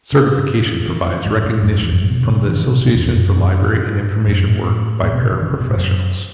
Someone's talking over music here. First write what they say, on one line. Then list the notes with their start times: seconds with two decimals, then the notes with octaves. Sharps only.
Certification provides recognition from the association for library and information work by para-professionals.
0.12 C#3
0.88 E3
1.26 G#2
1.44 G#2
1.63 F#2
1.72 G#2
1.82 E2
1.92 F#2
2.01 G#2
2.10 B2
2.20 C#3
2.29 B2
2.38 C#3
2.43 D#3
2.48 E3
2.58 D#3
2.67 C#3
2.76 B2
2.85 A2
2.95 E2
3.05 E2
3.14 F#2
4.27 F#2
4.46 A2
5.03 A2
5.12 B2
5.22 C#3
5.31 E3
5.41 D#3
5.49 C#3
5.60 B2
5.69 A2
5.78 F#2